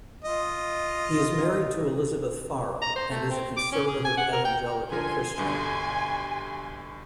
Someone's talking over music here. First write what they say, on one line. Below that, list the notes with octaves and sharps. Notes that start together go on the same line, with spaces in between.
He is married to Elizabeth Farah and is a conservative evangelical Christian.
F4 D#5
A#5
C5
A3
C4
D6
C#4
G#4
G#5
F#5
A#4
G5
D3 F3 A#4 G#5 C6
B1 G2 D3